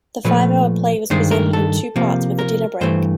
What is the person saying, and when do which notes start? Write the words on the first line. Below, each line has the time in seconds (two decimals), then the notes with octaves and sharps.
The five-hour play was presented in two parts with a dinner break.
0.25 A#2 F3 A3 B4
1.10 G2 D#3 G#3 C5
1.31 A#4
1.53 A4
1.96 C3 F3 A#3
2.39 A#4
2.81 G2 E3 A3 C5